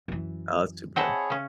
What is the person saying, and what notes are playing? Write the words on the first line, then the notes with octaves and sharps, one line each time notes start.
Oh, that's too bad.
F#2 E3
C4 G#4 C#5 D#5 E5 F#5 A5 B5
C#3 C#4